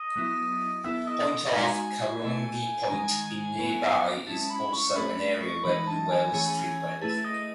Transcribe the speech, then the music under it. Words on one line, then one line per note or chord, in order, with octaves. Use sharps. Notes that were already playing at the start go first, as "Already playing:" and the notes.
Point off Kahurangi Point in nearby is also an area where blue whales frequent.
Already playing: D#5
F#3 B3 E4
B3 E4 A4 E5
D#5
G#3 D#4 F#4 G#5
A3 E4 A4
D#3 G#3 D#4
F#3 B3 E4 B4
G#3 C#4 E4 A5
B5
C#6
A3 C#4 G#4 B5
B5
C#6
E3 G#3 D#4 B5
A5
G#5
E3 A3 C#4 G#4 C#5
A3 E4 G#4 B4 A5
D#5